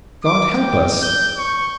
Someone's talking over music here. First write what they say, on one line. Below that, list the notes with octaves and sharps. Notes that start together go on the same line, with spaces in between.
God help us!
D6
G5
G6
C#6